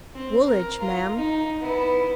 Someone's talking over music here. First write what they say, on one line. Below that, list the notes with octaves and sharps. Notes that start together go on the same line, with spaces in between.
"Woolidge, ma'am."
C4
A#4
F4 A#5
D#4
B3 E4